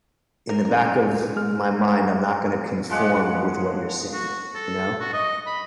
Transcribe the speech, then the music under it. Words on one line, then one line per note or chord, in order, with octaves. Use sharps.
in the back of my mind, I'm not gonna conform with what you're saying, you know.
A#4
A1 A#4
F#3
C#2
G#3 F6
F3 G#3 F#5 D6
F#4
A4
F#4
D#5
B5